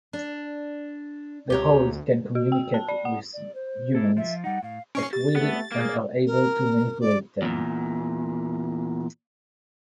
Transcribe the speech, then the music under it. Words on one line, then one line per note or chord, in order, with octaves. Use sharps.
The holes can communicate with humans at will and are able to manipulate them.
D4
C#2 G4 C#5 A#5
D2
F#4
G5
A5
D5
F#5
D5
C5
A#3 E4 A4
F3 F4 E5
G3 D#4 F#5
A2 F5
C#4 C#6 C7 D7
G4 A6
A3 B3
A#3 G#4
A#4
D5
E2 A#2